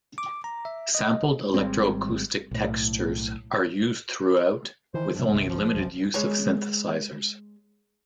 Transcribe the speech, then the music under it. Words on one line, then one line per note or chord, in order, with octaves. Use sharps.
Sampled electroacoustic textures are used throughout with only limited use of synthesizers.
D6
A#5
E5
D#5
G#1 G3 G#3 C4
B1 A2
D#3 E3 C5
G2 C3 F3
G1 C2 C3
F3
F1 B1 F#2
G#3 C#5 G#5